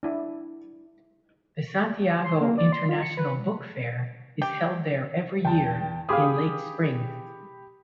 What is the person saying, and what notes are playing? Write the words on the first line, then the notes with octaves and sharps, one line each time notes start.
The Santiago International Book Fair is held there every year in late spring.
D4 E4 D5
C6
A#3
D5
C6
F4
C#7
B4
G4
E2 G5 A5
G4 G#4 F5 B5 D6 D#6